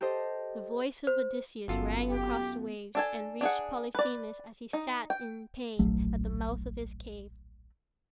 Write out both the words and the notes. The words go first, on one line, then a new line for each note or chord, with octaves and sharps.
The voice of Odysseus rang across the waves, and reached Polyphemus as he sat in pain at the mouth of his cave.
G4 A4 C5 D#5
C5
G1 F#2 B3 F4 A4
G4
D4 A4 G#5
D4 G#4 F#5
B4 D5
D#4
G5
D1 A#1 F#3 A3